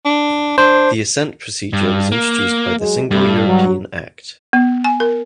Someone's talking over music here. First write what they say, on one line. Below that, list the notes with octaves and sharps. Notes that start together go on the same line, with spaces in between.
The assent procedure was introduced by the Single European Act.
D4
D4 C5
G2
A#3
F#3 G#3
G2 G3 A3 G4
F#3
B3
G#5
A#4